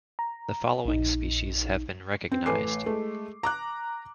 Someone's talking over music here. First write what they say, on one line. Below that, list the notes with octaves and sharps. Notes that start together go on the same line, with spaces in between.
The following species have been recognized.
A#5
A#1 D#4
C4
A1 A3 B4 G#5 D6 C7
G#3 A3
A#5 D6 F#6